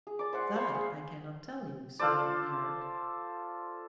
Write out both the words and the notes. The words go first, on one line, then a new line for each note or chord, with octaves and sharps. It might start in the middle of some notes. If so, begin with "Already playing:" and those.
"That I cannot tell you, Signor Merrick."
G#4
D5 D6
C5 E5 F#5 G#5
C5 F5 B5 C#6
G#4
F4 A4 C5 D5